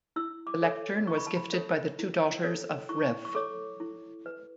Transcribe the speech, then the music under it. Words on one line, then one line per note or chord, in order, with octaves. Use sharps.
The lectern was gifted by the two daughters of Rev.
E4 E6
D6
A4 C#5
E4 C#6
B5
A5
B5
A4 C#5
E4
A4 C#5
E4 C#6
C#6
A4 C#5 D6
E4
B4